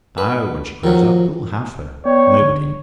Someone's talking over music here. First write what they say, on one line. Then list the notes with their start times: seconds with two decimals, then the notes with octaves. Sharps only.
Now, when she grows up, who'll have her? Nobody.
0.18 B4
0.84 D#3 F3 F#3
2.05 B3 C#5 D5 G5
2.41 D3